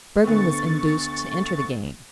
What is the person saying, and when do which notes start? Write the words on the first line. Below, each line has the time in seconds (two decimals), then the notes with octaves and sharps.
Bergmann was induced to enter the game.
0.24 D2 D3 B3 C#6 A6